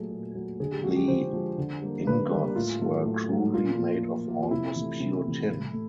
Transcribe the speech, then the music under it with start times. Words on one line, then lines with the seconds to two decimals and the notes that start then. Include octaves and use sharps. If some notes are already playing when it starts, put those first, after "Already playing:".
The ingots were crudely made of almost pure tin.
Already playing: A#2 F#3 A3 G#4
0.11 A#2
0.35 F#3 A3
0.60 D3 G#4
0.72 G4
0.83 F3 G#3 F#4
0.96 G4
1.08 D3 C5
1.33 F3 G#3
1.58 D3
1.81 G3 A#3
2.07 D3 B4
2.31 G3 A#3
2.56 A2 F4
2.80 F#3 A3
3.05 A2
3.29 F#3 A3
3.53 A#2 F4
3.78 F3 A#3
4.03 A#2
4.27 F3 A#3
4.42 F4
4.51 C3 E4
4.76 E3 A3
5.00 C3
5.25 E3 A3
5.50 A2
5.73 A3